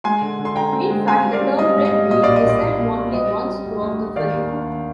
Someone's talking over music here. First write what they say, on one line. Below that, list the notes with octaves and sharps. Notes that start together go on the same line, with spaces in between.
In fact, the term "red weed" is said only once throughout the film.
G#3 G#5 C6
D3
D3
C6
D3 G5 A#5
C4
G#3
C4 F5 G#5
G3
D5 F5
C4
G3 D#5
G#2
D#5
G3
A#2 D#5
A#1 D5 F5
D#5
A#1
D5
A#1
A#2
A#2
G3 D#5
G3
G3
D2
D2
D2
D#3 D5 F5
D#2
D4
D#2